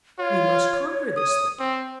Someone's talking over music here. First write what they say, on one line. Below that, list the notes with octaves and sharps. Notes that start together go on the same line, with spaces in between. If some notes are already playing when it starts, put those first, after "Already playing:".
We must conquer this thing.
F4 C#5
D#6
C4